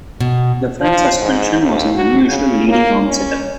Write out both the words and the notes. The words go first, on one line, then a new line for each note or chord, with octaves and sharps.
The front suspension was an unusual leading-arm set-up.
B2
F3
G#2
D#2
F#4
C#3
A#3
C#4